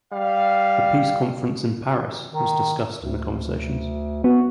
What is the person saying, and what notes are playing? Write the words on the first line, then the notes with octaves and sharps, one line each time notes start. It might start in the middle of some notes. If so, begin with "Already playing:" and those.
The Peace Conference in Paris was discussed in the conversations.
G3 F5
D#3
D2
B3 F#4